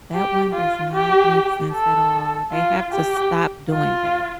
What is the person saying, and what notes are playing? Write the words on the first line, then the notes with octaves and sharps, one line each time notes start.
That one does not make sense at all, they have to stop doing that.
G4
F4
G4
A4
F4
G4
F4